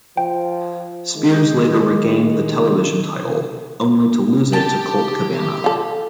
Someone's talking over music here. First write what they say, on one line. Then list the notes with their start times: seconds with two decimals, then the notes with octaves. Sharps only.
Spears later regained the Television Title, only to lose it to Colt Cabana.
0.17 F3 G5
1.16 D#3 G#3
4.53 G4 G5 A5
5.64 F4 A4